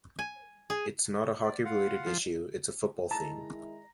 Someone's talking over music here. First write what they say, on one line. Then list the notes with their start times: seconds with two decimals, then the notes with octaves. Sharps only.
It's not a hockey-related issue, it's a football thing.
0.19 G#5
0.70 G#4
1.44 D5
1.65 F4 F5 F#5
2.07 F3
3.11 D#3 G#3 E4 A5 A#5